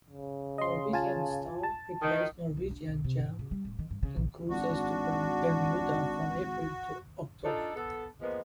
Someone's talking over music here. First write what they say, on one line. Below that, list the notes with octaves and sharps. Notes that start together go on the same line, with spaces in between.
"Norwegian Star" replaced "Norwegian Gem" in cruises to Bermuda from April to October.
C#3
D#5 C6
F4 G#5 A5
A5
D#3
B1
D4
B1
C3
G#2
C#3
G3
D1
D#3
G2
C#3
A#1
G#1 D4 F#4
D4 D#4 F4 A4
B3 A4
F3 G#3 A#3 B3